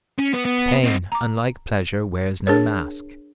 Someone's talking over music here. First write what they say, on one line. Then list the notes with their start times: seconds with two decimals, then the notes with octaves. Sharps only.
Pain, unlike pleasure, wears no mask.
0.18 C#4
0.34 B3
0.45 B3
0.83 C4 D#4
1.12 A#5 D6
2.47 D4 G#4 A#4 C#5